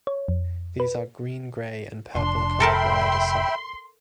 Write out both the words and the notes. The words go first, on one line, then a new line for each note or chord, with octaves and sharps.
These are green-grey and purple coloured rhyodacite.
C#5
F2
B4
F1 D4 C6
A4 A#4 E5 G5 A5 B5